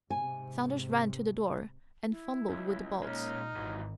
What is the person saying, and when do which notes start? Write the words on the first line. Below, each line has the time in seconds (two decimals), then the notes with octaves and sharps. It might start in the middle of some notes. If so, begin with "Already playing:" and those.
Saunders ran to the door and fumbled with the bolts.
0.10 G#2 C3 G#5
2.09 E4
2.49 C#2
3.03 A#2 G#3 C#4 D#4 F6
3.57 G#1 E3 F#3